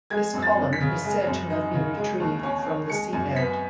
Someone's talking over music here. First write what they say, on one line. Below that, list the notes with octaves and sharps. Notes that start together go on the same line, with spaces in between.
This column is said to have been retrieved from the seabed.
G#3 G#6
F#2
A6
F#2
B6
C#3
G#3
F#2
D#4
C#3
G#3
D#2
C#4
D#3
G#3 C#7
F#2
B3 B6